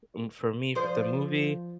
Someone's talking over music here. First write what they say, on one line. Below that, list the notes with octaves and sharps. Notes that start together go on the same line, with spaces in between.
m for me f the movie,
F3 C5